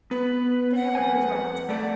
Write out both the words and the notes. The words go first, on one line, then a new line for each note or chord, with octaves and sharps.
Then everything was right.
B3 B4
F#5
F2 B4 G#5
A3 A4 A#4 D5